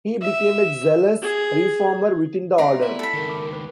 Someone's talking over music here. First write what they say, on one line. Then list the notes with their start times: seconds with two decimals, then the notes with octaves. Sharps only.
He became a zealous reformer within the Order.
0.22 E5
1.22 G#4
2.58 C4 D5 E5 F#5 A#5 C6
2.83 B3 E4
2.99 A4 B5
3.13 C#2 D#3 A#4
3.30 D6
3.53 B4